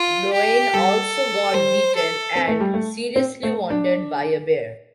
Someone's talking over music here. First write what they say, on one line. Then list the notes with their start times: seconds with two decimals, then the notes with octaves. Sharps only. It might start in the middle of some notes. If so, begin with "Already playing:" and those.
Groanin also got beaten, and seriously wounded, by a bear.
Already playing: F4
0.33 G4
0.73 G3 A4
1.54 G3 C5
1.95 A4
2.35 C4
2.48 A3
2.60 G3
2.74 A3
3.16 C4
3.43 A3
3.70 D4